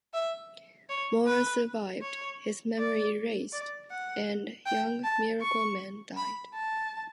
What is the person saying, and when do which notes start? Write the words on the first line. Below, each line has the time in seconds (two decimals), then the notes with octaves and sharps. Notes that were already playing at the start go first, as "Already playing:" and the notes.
Moran survived, his memory erased, and Young Miracleman died.
0.14 E5
0.90 C#5
1.27 B4
2.02 C#5
2.78 D5
3.53 D5
3.91 F#5
4.66 G5
5.04 A5
5.42 C#6
6.17 B5
6.54 A5